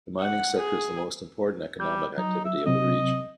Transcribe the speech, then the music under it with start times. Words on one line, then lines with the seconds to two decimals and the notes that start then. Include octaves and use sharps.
The mining sector is the most important economic activity of the region.
0.21 F#5
0.59 G#4
1.80 G3 G6
2.18 F#3 D#4
2.45 E5
2.66 C3 F#3 C4 D#5